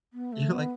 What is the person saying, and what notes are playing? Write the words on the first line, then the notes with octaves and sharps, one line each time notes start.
You're like
B3
A3
B3